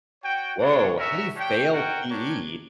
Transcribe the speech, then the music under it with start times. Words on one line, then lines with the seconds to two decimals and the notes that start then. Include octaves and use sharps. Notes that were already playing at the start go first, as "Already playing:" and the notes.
Woah! How do you fail PE?
0.23 F#4 C#5 G5
0.60 A#3 D4 F#4 C#5
0.97 C#4 F#4 A#4 E5
1.35 D4 G4 C#5 G5
1.72 F#4 A#4 C#5 G5
2.09 D4 G4 A#4 C#5